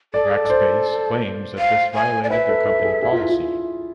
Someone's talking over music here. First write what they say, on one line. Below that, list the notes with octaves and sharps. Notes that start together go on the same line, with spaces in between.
Rackspace claims that this violated their company policy.
A4 D5
G#4
A4
D5
C5
F5
G#5
D5
B4 E5
A4
A4
A4
G#4
G#4
F4
E4
F4